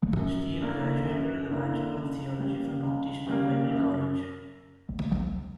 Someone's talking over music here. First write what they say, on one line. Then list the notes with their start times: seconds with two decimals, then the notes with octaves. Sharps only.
Steele graduated with a Bachelor of Theology from Northeastern Bible College.
0.17 F#2
0.61 D3 A#3 E4 A#4
1.05 F#2
1.49 D3 A#3 E4 A#4
1.94 C#2
2.38 C#3 G3 A#3
2.83 C#2
3.27 C#3 G3 A#3
3.71 F#2